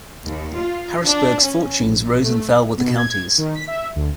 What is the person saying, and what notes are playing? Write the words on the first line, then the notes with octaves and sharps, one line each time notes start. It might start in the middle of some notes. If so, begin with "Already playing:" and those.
Harrisburg's fortunes rose and fell with the county's.
D#2
F4
D4
C#4
A#1
A3
B2
G#6
D#3
B6
E5
D2